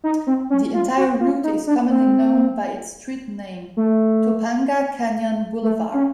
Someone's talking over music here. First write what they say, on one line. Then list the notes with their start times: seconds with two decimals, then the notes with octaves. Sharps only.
The entire route is commonly known by its street name, Topanga Canyon Boulevard.
0.04 D#4
0.27 C4
0.50 C#4
0.74 F4
0.97 F#4
1.20 F4
1.44 D#4
1.67 D4
1.90 C4
3.77 A3
5.63 A3
5.94 C#4